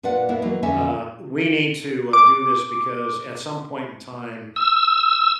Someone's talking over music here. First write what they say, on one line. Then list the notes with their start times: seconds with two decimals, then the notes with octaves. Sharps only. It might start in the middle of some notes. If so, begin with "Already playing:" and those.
uh, we need to, uh, do this because at some point in time,
0.03 A#2 D4 B4 D5 F#5
0.29 A#3 B3 D4 E4 A#4
0.42 E3 F#3 A#3 D#4
0.63 F2 D3 C#4 E5 G#5
2.13 D6
4.56 E6